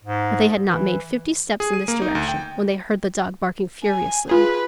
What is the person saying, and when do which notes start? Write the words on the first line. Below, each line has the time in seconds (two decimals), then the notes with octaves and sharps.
But they had not made fifty steps in this direction, when they heard the dog barking furiously.
0.04 G#2
0.70 E3
1.60 G#4
1.73 D#7
1.88 A#3
2.02 D#4
2.15 D2
2.28 G5
3.83 G#5
4.29 F4 G#4 B4